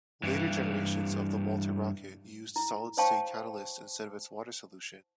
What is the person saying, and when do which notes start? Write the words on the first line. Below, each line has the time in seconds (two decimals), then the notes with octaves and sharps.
Later generations of the Walter Rocket used solid-state catalyst instead of its water solution.
0.23 G2 E3
2.56 E4
2.97 C5 C#5 F5 G5 A5 C#6